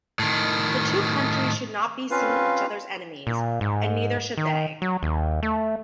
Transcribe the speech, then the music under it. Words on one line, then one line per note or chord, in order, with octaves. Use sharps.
The two countries should not be seeing each other enemies, and neither should they.
A2 D#3
C4 C#4 F4 B4 F5
A#2
G#2
D#3
F#3
D#2
A3